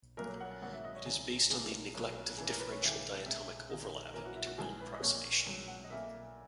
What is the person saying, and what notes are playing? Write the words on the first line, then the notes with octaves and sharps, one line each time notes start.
It is based on the Neglect of Differential Diatomic Overlap integral approximation.
B1 A#2 F#3 A#3 A#4
F#5
G#1 G#2 F#3 A#3 F#5
E5
D#5
C#5
E1 E2 C#3 G#4
C#2 B2 A#3 G#4
B1 B2 F#3
F#2 E3 A#3 G#4
A#4
B4
C#5
D#2 C#3 E3 A#3 E5
C#2 C#3 G#3 E5
E2 D#3 G#3 D#5
F#2 E3 A#3 A#4
F#4
E4
F#4
A#1 G#2 E3 G#4
B4
D#5
A#1 A#2 A#3 C#5
A#1 G#2 F#3
F#5
D#5
B1 A#2 A#3 E5